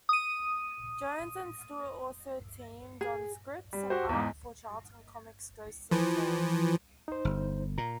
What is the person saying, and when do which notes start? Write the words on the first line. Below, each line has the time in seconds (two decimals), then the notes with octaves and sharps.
Jones and Stewart also teamed on scripts and art for Charlton Comics' "Ghostly Tales".
0.09 D#6 D#7
3.01 G#4
3.73 G3
3.90 F#4 G4 C5
4.09 E2 G#2
5.91 E3 F3
7.08 D#4 C5
7.25 G1
7.78 A#2 A#5